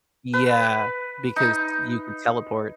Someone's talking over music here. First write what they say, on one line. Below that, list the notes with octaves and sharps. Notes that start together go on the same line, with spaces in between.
Yeah. Because you could teleport
B4
D#4